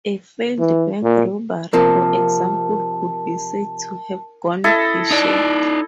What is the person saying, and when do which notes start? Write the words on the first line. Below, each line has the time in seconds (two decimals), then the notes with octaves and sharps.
A failed bank robbery, for example, could be said to have "gone pear-shaped".
0.59 E3
1.03 A#2
1.73 C3 F3 A#3 A#4 A5
4.64 E4 A4 D#5
5.11 D#4 D5